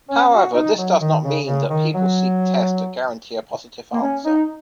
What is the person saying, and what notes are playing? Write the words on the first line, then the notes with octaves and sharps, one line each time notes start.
However, this does not mean that people seek tests that guarantee a positive answer.
C#4
F#4
D#4
F#3
D#3
C#3
C#3
D#3
F#3
A#3
C#4
D#4